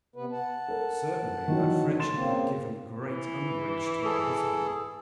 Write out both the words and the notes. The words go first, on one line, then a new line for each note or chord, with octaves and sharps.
Certainly that friendship had given great umbrage to her husband.
C3 B3 B4
F#5 A5
A4 A#4
D#3 E3 F#3
C6 A6 E7
C#3 A#3 C4
E3
G#4 A4